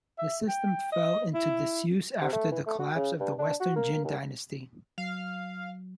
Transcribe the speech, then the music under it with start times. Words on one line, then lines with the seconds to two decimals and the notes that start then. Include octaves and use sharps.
The system fell into disuse after the collapse of the Western Jin dynasty.
0.18 E5
0.49 G5
0.92 D#5
1.34 E4
2.21 C3
2.33 A3
2.52 E3
2.66 A3
2.79 F#4
2.96 C#3
3.20 G2
3.39 D4
3.60 F#4
3.76 A#3
4.05 D#2
4.98 F#3 F5